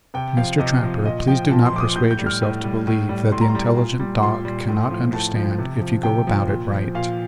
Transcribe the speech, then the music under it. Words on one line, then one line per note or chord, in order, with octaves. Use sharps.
Mr. Trapper, please do not persuade yourself to believe that the intelligent dog cannot understand if you go about it right.
C3 G5
F3 F5
C3 D#5
F3
A#2 D#5
F3 G5
A#2 A5
C6
F3 D6
D#6
A2 G6
G6
G3
F6
A2
G3
A2
G3
A2 C6
A#5
C6
G3
A#2
G3
A#2 C6
G3
A2
F3
A2 A5
F3
C3
F3
C3 G5
F3
A#2
F3
A#2 F5